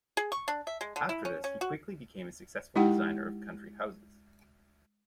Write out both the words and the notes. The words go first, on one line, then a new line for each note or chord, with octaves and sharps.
After this he quickly became a successful designer of country houses.
G#4
C#6
D4
E5
G#3
D3
E4
C#4
C#4
F#4
G#3 D#4 E4 G4 F#5 G5